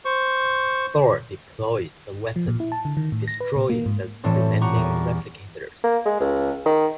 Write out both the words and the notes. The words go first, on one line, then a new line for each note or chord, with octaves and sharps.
Thor deploys the weapon, destroying the remaining replicators.
C5 C#6
F3
A#2
E4
A5
D3
D#3
A2
A#6
B4
A#2
A#3
G#2
A2 E3 G3 A3 C4
G4 F#5 A#5 C#6
E2
A#3
G#3
C#2
D#3